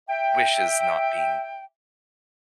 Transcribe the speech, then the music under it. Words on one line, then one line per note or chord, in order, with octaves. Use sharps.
wishes not being,
E5 G5